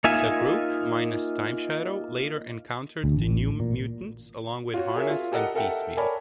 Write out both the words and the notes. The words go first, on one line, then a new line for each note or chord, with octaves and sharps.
The group, minus Timeshadow, later encountered the New Mutants, along with Harness and Piecemeal.
A#3 D#4 F4 E5 G#5
D2
A1
A#2
F4 F#4 C#5
G#4 A#4 C#5 E5
F4
G4 A4 A#4 D#5 F#5
A4 A#4 E5 F#5 G5
A#4 C#5 D5 G#5 A5 B5